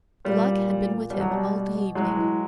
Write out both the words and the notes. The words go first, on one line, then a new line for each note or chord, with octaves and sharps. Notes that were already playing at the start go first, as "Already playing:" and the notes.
The luck had been with him all the evening.
A#2 G3
A#2
A#2
A#2
B2 G3
F#3
B2 G3
B2
B2
A2 F#3 G#3
E3